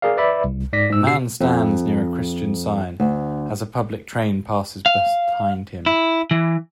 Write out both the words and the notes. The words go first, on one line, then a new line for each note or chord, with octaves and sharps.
A man stands near a Christian sign, as a public train passes behind him.
G#4 A#4 D5 F5
B4 D5 E5 B5
C2
G#2 D5 A#6 B6
G#2 E6
B2 D3 G4 E6 C7
F2
D2
F5
E4
E3